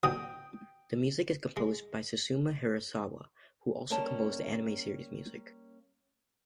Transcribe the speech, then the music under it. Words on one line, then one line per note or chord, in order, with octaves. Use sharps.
The music is composed by Susumu Hirasawa, who also composed the anime series' music.
A#2 D#3 F#3 G5 D#6
G#3
G3 A#3 C#4 D#5 A5